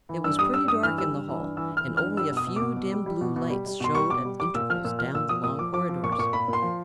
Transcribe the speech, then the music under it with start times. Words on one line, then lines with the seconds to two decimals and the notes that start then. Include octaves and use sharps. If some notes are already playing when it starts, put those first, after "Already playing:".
It was pretty dark in the hall and only a few dim blue lights showed at intervals down the long corridors.
0.09 E3
0.24 G2 E6
0.39 G3 D#6
0.54 G2 E6
0.68 G2 D#6
0.83 E3 F6
0.98 G3 E6
1.13 G2
1.28 E3
1.43 G2
1.57 E3 E6
1.72 E3
1.77 F6
1.87 E3
1.97 F6
2.02 G2
2.17 G3 E6
2.32 B2
2.37 D#6
2.47 B2
2.56 D6
2.61 B2
2.77 B2
2.91 G3
3.06 G3
3.21 B2
3.36 B2
3.50 G3
3.66 G3
3.80 B2 C6
3.95 G3 C#6
4.10 B2 D6
4.25 G3
4.40 G3 D6
4.55 A#2 E6
4.69 F3 F6
4.84 A#2 E6
4.99 F3 F6
5.14 A#2 E6
5.29 F3 D#6
5.43 A#2 D#6
5.59 F3 D6
5.74 F3 D6
5.89 F3
6.03 A#2 C#6
6.12 D6
6.18 A#2 C#6
6.33 A#2 B5
6.48 A#2 C6
6.62 F3